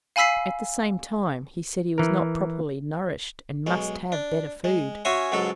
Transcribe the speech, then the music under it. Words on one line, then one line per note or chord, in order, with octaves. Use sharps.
At the same time, he said he was not properly nourished, and must have better food.
F5 G#5 B5 E6 B6 C7
E3 A#4
B1 G#3
D4
G#3
C#4 F#4 C#5 E5 G#5 C6
C#2 G#2 F#3 G#3 A4